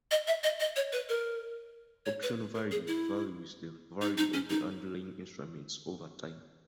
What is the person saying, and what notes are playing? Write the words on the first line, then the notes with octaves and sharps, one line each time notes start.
Option values vary with the value of the underlying instrument over time.
D#5
E5
D#5
D#5
C#5
B4
A#4
C#5
B4
A#4
G#4
E4
D#4
D#4
C#4
D#4